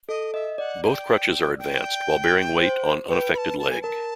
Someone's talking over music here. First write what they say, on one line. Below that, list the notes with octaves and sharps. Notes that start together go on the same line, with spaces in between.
Both crutches are advanced while bearing weight on unaffected leg.
A4 D#5
D#5 E5
D5 F#5
G#5
G5
G5
C5
B4 G5
B5
A5
A5
G#5
A#4 A5